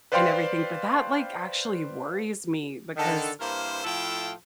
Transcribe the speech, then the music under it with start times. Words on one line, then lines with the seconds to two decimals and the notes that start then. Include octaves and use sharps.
and everything, but that, like, actually worries me, because
0.12 B4 C5 D5 F5 G5 C6
2.97 D3 D#3 A4
3.40 G2 A#3 E4 A#4 C5
3.84 A2 F3 E4 A4 F5 G5